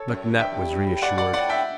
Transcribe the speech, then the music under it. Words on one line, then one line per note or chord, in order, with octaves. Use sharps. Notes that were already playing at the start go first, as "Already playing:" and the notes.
McNutt was reassured.
Already playing: A4 C#5
F#2
G2 E5 G5
G2
A2
B2 D5 F#5
D5 F#5
A2 D5 F#5
E5 G5